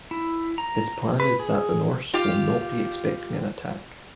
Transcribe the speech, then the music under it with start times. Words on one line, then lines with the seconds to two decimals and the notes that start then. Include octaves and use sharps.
His plan is that the Norse will not be expecting an attack.
0.11 E4
0.58 A#5
1.20 B4
1.40 G#4
2.14 F4 G4